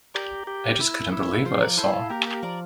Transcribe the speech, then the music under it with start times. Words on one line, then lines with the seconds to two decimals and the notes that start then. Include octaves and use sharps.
I just couldn't believe what I saw.
0.14 G4 A#4 D5
0.47 G4
0.80 E4
1.12 E4
1.45 F3 A4 C5
1.61 A#4 D5
1.78 E4 A4 C5
1.93 F4 A4
2.10 A#3 G4 A#4
2.26 G4 A#4
2.42 F3 A#4 D5